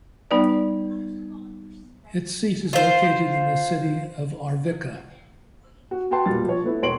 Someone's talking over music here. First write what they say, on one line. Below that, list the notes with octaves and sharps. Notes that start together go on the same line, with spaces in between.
Its seat is located in the city of Arvika.
G3 B3 D#4 B4 D5
F4 C5
F#4
F#4 B4 G5 A5 C6
E1 A#2 G3 A6
F3 C#5
A3 B3 E4
E1 C#5 C6 D7 F#7